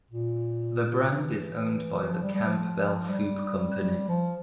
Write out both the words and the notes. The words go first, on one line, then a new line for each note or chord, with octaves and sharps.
The brand is owned by the Campbell Soup Company.
A#2
E3
F3
G3
G3
F3
G3
F3